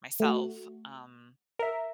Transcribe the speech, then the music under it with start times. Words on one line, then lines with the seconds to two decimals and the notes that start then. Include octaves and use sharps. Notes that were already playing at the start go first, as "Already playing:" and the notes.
myself, um,
0.20 A3 F#4
1.59 A#4 E5